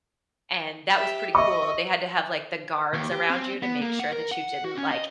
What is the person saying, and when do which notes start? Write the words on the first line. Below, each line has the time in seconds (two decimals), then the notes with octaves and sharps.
and that was pretty cool. They had to have, like, the guards around you to make sure that you didn't, like,
0.94 G4 E5
1.35 D#5 E5 C#6
2.93 D#2
3.12 G4
3.29 C4
3.62 B3
3.82 A#3
3.99 F#5
4.12 A#4
4.32 F#5
4.65 F#4
4.77 C#4
4.91 D#5